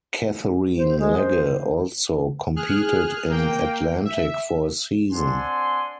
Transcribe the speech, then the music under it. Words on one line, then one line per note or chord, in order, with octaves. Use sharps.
Katherine Legge also competed in Atlantic for a season.
C5
G#3
C5
G#4 F6 F#6
A#3 G5
E5
C4 D4 F#5 G#5 C6